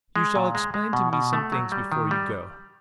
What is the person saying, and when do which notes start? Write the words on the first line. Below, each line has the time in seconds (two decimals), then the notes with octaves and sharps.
"You shall explain to me some things before you go."
0.16 G#3
0.35 A#2
0.55 G#3
0.74 G#3
0.93 B2
1.13 B2
1.33 A3
1.52 F#3
1.72 G3
1.92 D#3
2.11 G3